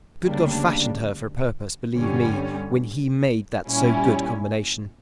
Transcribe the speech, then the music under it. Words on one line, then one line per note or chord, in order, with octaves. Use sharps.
The good God fashioned her for a purpose, believe me, when He made that so good combination.
D2 C#3 G3 A#3 D4
G1 G2 D3 G3 C#4
A#2 G3 C#4 E4